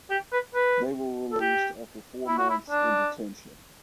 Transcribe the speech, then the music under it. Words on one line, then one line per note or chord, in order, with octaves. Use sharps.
They were released after four months in detention.
G4
B4
B4
A4
G4
E4
F#4
E4
D4